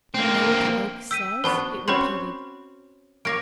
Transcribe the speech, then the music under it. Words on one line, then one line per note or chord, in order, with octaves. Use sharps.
"Do you know what the oak says?" it repeated.
A#3 C4
G5 E6 B6 D#7
B3 D4 F#4 C5 A5 B5
C4 C#4 F#4 C#5 B5 C6
A#3 C#5 F5 D6 A#6 D7